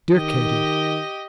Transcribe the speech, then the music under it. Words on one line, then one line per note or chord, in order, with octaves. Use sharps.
Dear Katie!
D#3 G4 D#5